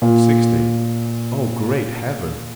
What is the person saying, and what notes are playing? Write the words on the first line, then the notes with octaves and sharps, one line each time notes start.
Sixty--oh, great heaven!
A#2